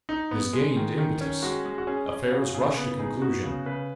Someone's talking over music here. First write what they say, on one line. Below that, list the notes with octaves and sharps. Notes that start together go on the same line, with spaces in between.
It has gained impetus. Affairs rush to conclusion.
D#4
B3
G#3
D#3
D#3
C#4
G#3 F#4
G#3
F#4
C#4 G#4
C#4
C#3 F#4
C#3 G#4
B3 B4
D#4 G#4
B3 F#4
C#3
C#3 B4